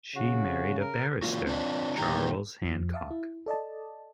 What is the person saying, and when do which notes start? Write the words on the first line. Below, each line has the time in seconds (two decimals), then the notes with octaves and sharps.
She married a barrister Charles Hancock.
0.16 C#3 F#4
0.81 A#4
1.22 E3 F3 A#3 F4 F#4
1.47 C4 D4 F4
1.97 A#2 D#3 G3 G4 A#5
2.62 F2 F3
2.94 E5 F5 A5
3.11 E4
3.46 A4 D5 D#5 A5